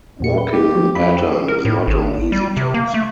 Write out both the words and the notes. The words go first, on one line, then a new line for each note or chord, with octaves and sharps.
Walking the Pattern is not an easy task.
E2 A#2 C#7
B4
G4
F3 B3
F2 B5
A#4
A2
G#1
G3
C3
A#3
A3